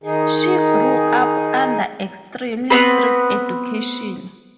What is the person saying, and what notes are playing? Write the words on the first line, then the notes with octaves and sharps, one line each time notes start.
She grew up under extremely strict education.
D#3 D#4 G#4
B3 C4 B4